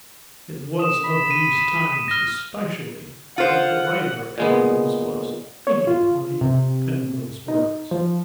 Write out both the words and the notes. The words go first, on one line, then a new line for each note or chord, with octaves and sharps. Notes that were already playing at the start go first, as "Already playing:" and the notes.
It was of these times especially that the writer of Hebrews was thinking when he penned those words.
D#6 E7
B5
D#7
F6 A#6
F4 C5 F#5
A#2 G#3 B3
C#5
F4
C3
D#4
F3